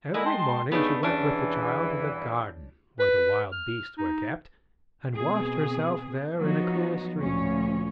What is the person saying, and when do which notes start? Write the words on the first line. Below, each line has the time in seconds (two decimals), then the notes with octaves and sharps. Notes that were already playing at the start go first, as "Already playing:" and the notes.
Every morning she went with the child to the garden where the wild beasts were kept, and washed herself there in a clear stream.
0.14 A#2 D3 G#3 E4 D#5
0.26 G5 A5 C6
0.72 G2 C#3 A3 B3 D4 D#4
1.03 E2 G2 E3 C#4 D4
3.00 B4
3.52 F6
3.98 D#4
5.16 B2 C4 G#4
6.41 F3 F#3 B3 D#4 F#4
7.21 D2 A#2 F3 C#4 C#5